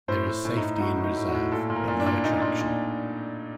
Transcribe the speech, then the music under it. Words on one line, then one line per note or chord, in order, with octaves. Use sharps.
There is safety in reserve, but no attraction.
A2 C5
A2
A2
D#4
A2
D#4
A2 F#4
A2
D#4
A2
F#4
A2
A#2 A4
A#2
A#4
A#2
D4
A#2
A#2 D#4
A#2
A#2